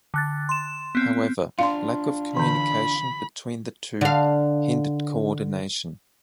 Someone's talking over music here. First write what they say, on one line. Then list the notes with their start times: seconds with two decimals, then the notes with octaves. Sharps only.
However, lack of communication between the two hindered co-ordination.
0.14 D3 F#6 A6
0.49 C6 E7
0.95 B3 C4
1.59 D4 F4 F5 C6
2.37 D3 E3 B5
4.01 D3 F5